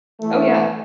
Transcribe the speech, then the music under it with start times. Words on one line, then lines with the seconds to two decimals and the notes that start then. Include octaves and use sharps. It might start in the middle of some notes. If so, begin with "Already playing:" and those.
Oh, yeah,
0.21 E3 A3